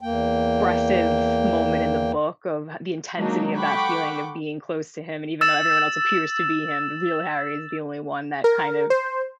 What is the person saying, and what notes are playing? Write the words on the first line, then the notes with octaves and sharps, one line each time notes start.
expressive moment in the book of the intensity of that feeling of being close to him, and even though everyone else appears to be him, the real Harry is the only one that kind of,
E2 A#3 G5
F#3 G#3 A#3 D4 D#4
A4 F#5 G5 B5 C#6 D6
E6 A6 E7
A#4
C5